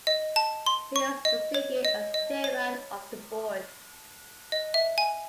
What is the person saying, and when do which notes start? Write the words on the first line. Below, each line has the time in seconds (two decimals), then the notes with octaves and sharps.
Hills succeeded as chairman of the board.
0.07 D#5
0.36 A5
0.66 C6
0.96 C#6
1.25 D#5
1.54 C#5
1.85 D#5
2.14 D#5
2.44 C#5
4.52 D#5
4.74 E5
4.98 G#5